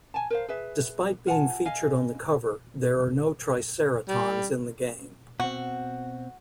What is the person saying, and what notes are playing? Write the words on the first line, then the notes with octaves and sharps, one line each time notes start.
Despite being featured on the cover, there are no Triceratons in the game.
G#5 A5
A#4 C5 F5
G#4 B4 E5
F4 F#5 G#5 A5
D#5 F5 G#5
G3
B2 C4 F#4